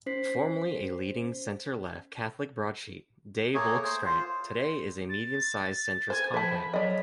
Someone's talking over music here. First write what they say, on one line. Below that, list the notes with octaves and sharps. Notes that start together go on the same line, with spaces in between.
Formerly a leading centre-left Catholic broadsheet, "de Volkskrant" today is a medium-sized centrist compact.
C#4 C5 B6 C7
A3 A#3 G#4 C#5
C5
F4 C5
A6
C5 G#5
F3 C5 A5 B5
F#3 D5 D#5